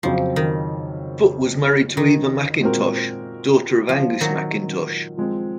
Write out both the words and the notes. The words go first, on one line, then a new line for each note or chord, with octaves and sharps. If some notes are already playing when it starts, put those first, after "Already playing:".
Foot was married to Eva Mackintosh, daughter of Angus Mackintosh.
F2 C#3 F3 F#3 C4
D#3
D#3
A#2 G#3 C4 F#4 A#4
F3
D#3 F#3
F3 G#3 C4